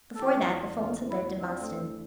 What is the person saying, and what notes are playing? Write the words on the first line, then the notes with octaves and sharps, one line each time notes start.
Before that the Fultons had lived in Boston.
A4
E3 G4
E2
D4
A3 F4
E3
E4
E2
C4 D4
A3
E3